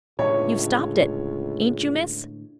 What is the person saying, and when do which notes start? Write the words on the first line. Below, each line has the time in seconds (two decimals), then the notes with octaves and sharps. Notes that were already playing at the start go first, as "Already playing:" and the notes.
"You've stopped it--ain't you, miss?"
0.19 C#2 A2 D3 C#5